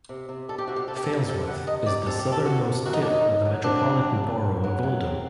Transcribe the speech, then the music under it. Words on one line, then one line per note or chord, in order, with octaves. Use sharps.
Failsworth is the southernmost tip of the Metropolitan Borough of Oldham.
C3
C3
G3 A4
G4
C3 F#4
G4
C3 A4
G4
A4
C3
C3 A4
G3 F#5
C3 D#5
C3 D5
C4 A4
G4
C3
A4
C3 F#4
C3
F#2 F#4
D#4
D4
F#2 D#4
F#2
F#3
C4 D4
F#3
F#2
F#2
F#2
F#3
F#2
C4